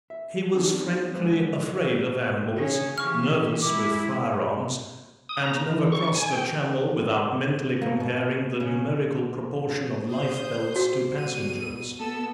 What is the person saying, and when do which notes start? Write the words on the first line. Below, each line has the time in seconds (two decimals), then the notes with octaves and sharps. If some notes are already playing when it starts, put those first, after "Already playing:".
He was frankly afraid of animals, nervous with firearms, and never crossed the Channel without mentally comparing the numerical proportion of lifebelts to passengers.
0.10 E5
0.54 B3 C4 D4 D#4 G#4
1.14 D3 F3 G#3 B4 C5
2.56 C#3
2.98 E3 G4 C#6 F6
3.62 G#3 E4 D6
5.29 D#6
5.43 A#5
5.71 E3
5.92 C#6
6.14 G#5
6.31 G5
7.82 A#3
8.00 B2
8.60 C#3
10.09 C5 D#6 G6
10.76 F#4
11.20 B2 G3 D#7
11.99 B3 A4 E6